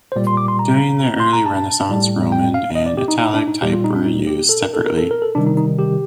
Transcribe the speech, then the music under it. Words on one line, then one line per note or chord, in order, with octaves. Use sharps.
During the early Renaissance, roman and italic type were used separately.
C5
A#2 G3 D5
C6
D6
C6
A#5
C6
A#5
A5
A2 G3
G5
F5
D#5
D5
G4
D#4
D#4
D4
D#4
A#2 G3 G4
F4
D#4
D4
D#4
G4
A4
A#4
A4
A#4
A4
A#4
A4
C3 D#3 G3 D4
D#4
D#4
G4